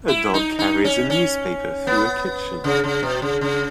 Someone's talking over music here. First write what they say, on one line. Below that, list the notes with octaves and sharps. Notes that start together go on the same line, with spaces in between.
A dog carries a newspaper through a kitchen.
E4
D#4
D#4
C#4
C#4
B3
C#3
C#3
B2
C#3
C#3